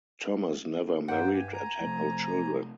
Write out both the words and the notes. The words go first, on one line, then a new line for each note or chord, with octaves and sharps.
Thomas never married and had no children.
G2 A#3 C5 F#5 G5
G4 G#5
G#5 A#5
C3 F3 A3